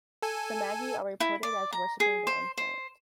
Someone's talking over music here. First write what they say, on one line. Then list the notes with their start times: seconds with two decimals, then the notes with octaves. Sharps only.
The Magi are reported as worshiping the infant.
0.22 A4 G#5
1.20 E4
1.43 D5
1.73 A#5
2.00 G#4
2.27 C5
2.58 C5